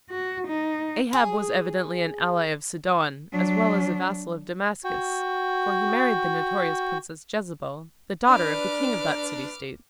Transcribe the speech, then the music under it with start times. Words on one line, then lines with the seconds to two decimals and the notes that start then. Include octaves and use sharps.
Ahab was evidently an ally of Sidon as well as a vassal of Damascus, for he married the notorious princess Jezebel, the daughter of the king of that city State.
0.10 F#4
0.48 D#4
1.13 G#4
3.32 F#3 D4
4.84 F#4 G5
8.29 D4 B4 D5 D6 F6